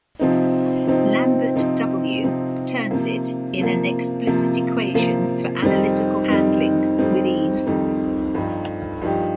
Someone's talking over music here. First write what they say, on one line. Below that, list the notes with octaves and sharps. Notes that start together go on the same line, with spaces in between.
Lambert "W" turns it in an explicit equation for analytical handling with ease.
C3 F3 C4 D#4
C3 F3 C4 D#4
C3 F3 C4 D#4
C3 F3 C4 D#4
C3 F3 A#3
C3 F3 A#3
C3 F3 A#3
C3 F3 A#3
F2 D#3 G3 C4 D#4
F2 D#3 G3 C4 D#4
F2 D#3 G3 C4 D#4
F2 D#3 G3 C4 D#4
G2 F3 D#4 G4
G2 F3 D#4 G4